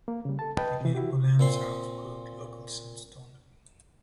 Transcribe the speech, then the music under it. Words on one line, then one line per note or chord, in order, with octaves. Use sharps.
The gable ends are of crude local sandstone.
A#3
C#3 G3
A4 A5
B4 D#5 G5 A5
C3 E3
E4 F#4 G4
A#2 C4 C6